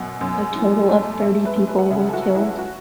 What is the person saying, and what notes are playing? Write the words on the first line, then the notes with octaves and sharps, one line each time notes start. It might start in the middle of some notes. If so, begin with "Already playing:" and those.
A total of thirty people were killed.
Already playing: F#2 B2 F#5
F#2
E3
A3
F#2 E5
B4
F#2
B4
F#5
C#3 E5
A4
F#4
F#3
E4
F#4